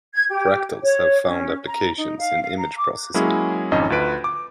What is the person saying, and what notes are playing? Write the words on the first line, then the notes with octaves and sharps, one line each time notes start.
Fractals have found applications in image processing.
G#6
G4
C#5
C#4
A#5
D#4
F5
F5
A#5
D6
F#3 G#3 A#3 C#4 E4 G#4
G#1 F2 C#4 D#4 D#5
D2 F4 B4 D7
D6